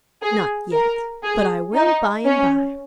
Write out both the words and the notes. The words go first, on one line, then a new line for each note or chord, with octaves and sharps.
'Not yet; but I will by and by.'
G#4
A#4
G#4
D#4
C#4